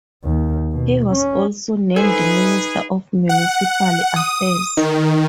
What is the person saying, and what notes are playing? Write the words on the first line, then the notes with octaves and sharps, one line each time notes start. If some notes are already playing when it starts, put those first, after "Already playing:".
He was also named Minister of Municipal Affairs.
D#2
B2
C#4
D#4 E4 G#4 A4 B4 C5 G#5
F#5
D#6
D#3